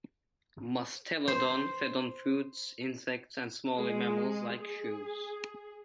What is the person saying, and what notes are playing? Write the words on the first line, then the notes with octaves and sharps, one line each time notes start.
"Mustelodon" fed on fruits, insects and smaller mammals like shrews.
C5
G#3
G#4